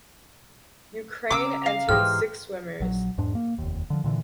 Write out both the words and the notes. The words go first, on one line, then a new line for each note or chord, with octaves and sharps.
Ukraine entered six swimmers.
C#3 A#4 D6 E6
F5
G#2 E3 G4 C5 D#5 F6
A#1 F#3
E2 G#2 D4
A#3
F1 D#2
D3 F3
A#2 D3 E3